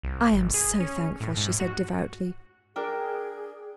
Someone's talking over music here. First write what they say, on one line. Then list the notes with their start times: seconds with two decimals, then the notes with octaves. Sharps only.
"I am so thankful," she said devoutly.
0.03 C2
0.33 G#1
0.54 G#4
0.80 C#4
1.20 A2
1.37 G#2
1.60 F#4
2.76 D4 G#4 A#4 G5